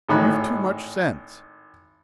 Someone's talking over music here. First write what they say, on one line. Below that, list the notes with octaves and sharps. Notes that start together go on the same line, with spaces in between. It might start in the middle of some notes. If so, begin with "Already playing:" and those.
You've too much sense.
G#1 A2 D#4 B5 F#6